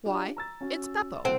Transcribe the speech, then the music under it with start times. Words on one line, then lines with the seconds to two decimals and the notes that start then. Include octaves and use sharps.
Why, it's Beppo.
0.05 D4 F4 G4
0.37 A#5 E6 A6
0.61 C#4 F#4
1.25 C2 C4 A4 F#5